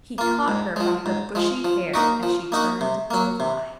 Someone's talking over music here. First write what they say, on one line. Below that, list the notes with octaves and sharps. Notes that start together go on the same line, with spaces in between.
He caught her by her bushy hair as she turned to fly.
A#3 F4
G#2
F3 G#3
G#2
F3 G#3
F3
A#3 D#4 F#4
F3
A#3 D#4 F#4
C3
F#3 A#3
C3